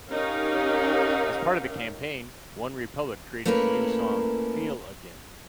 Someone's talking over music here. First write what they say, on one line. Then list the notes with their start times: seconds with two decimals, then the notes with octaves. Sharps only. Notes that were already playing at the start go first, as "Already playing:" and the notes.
As part of the campaign, OneRepublic created the new song "Feel Again".
0.11 C#4 D#4 G4 A#4 F5
3.45 A3 A#3 C#4 E4 A#4 B4